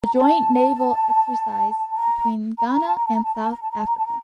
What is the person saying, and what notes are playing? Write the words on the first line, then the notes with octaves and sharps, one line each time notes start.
A joint naval exercise between Ghana and South Africa.
A#5
A5
A#5
A#5
B5
A#5
A5
A#5
A5
A#5
A5
A#5
A5
A#5
A5
A#5
A5
A#5
A5
A#5